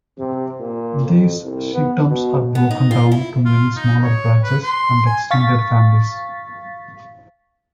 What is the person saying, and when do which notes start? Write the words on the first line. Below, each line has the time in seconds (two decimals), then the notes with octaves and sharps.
These sheikhdoms are broken down to many smaller branches and extended families.
0.19 C3
0.60 A#2
1.05 F2
1.44 C2
1.73 B3
2.09 B2
2.55 B3
2.71 D#4
2.91 F4
3.12 E4
3.45 F4
3.76 D#4
4.03 C#5
4.44 B4
4.63 C6
5.06 G#5
5.31 F5 C#6 A6 B6